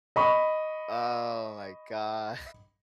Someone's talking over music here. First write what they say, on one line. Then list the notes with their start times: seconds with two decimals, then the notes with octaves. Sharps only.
Oh my god.
0.16 D#5 B5 C#6